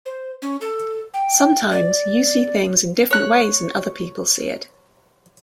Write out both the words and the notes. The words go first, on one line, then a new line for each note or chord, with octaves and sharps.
Sometimes you see things in different ways than other people see it.
C5
C#4
A4
G5
G5
D5
C#5 F#6